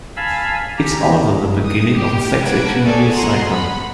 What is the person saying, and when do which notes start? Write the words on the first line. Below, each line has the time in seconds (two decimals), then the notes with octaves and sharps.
It's also the beginning of a Sexagenary cycle.
0.16 F5 G#5 A5 B5 E6
0.78 G4 A#5
1.64 D#6
1.94 G4
2.42 A#3 B4 F#5 A5 G#6 D7
2.83 G#4 A4 C#5 D5 E5 G#5
3.13 F#5 G#5 A#5 C6
3.49 F#5 B5